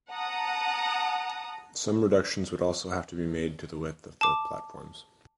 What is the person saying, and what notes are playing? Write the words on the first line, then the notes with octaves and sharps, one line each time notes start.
Some reductions would also have to be made to the width of the platforms.
F#5 A5 A#5 D#6
A5 D6